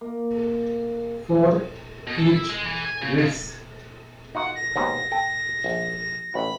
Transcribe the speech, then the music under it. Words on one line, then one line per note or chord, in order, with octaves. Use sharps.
For H Res.
A#3
B2
A4
E4
G#3
E3
G#5
C#3
C#3
D#4 F4 F#4 F#5
A#6
D#2 G#2 B2
A4 G5
A#1
A1 F#4 B5